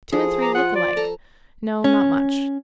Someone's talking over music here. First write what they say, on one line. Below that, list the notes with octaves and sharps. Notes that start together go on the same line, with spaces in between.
Two and three look alike--no, not much.
F3 E4 G#4 A4
A#5 D6
F4 F#5
D5
A4 A#5
C#4